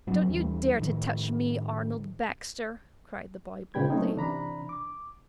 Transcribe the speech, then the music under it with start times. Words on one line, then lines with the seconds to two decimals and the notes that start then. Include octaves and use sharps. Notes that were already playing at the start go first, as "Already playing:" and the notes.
"Don't you dare to touch me, Arnold Baxter!" cried the boy boldly.
0.07 G#2 F3 F#3 C4
0.29 D#2 E3 G3
0.77 A2 D#3 F3
3.74 A#2 C#3 G5 B5 G#6
3.90 F#3 A3 C4 C#4 D#4
4.15 C3 E3 D4 A#5 B5
4.69 D6